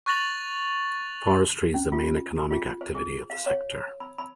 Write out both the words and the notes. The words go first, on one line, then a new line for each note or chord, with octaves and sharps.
Forestry is the main economic activity of the sector.
C#6 F#6 A6 A#6 F7 F#7
C#4
F4
F4
C5
G#4
F5
C#5
B5
B5